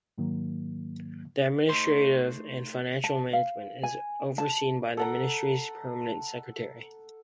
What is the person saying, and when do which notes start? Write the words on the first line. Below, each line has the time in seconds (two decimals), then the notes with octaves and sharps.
The administrative and financial management is overseen by the ministry's permanent secretary.
0.18 G#2 D#3 F#3 A#3
1.69 A3 D#4 C5 C6
3.04 A5
3.33 F5
3.83 G#5
4.38 A5
4.97 A4 F#5 A#5